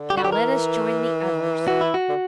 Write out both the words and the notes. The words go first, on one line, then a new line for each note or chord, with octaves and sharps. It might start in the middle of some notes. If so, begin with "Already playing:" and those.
Now let us join the others.
Already playing: D3
G4
F#4
G4
E3 A#4
E3 F#4
E4
F#4
D3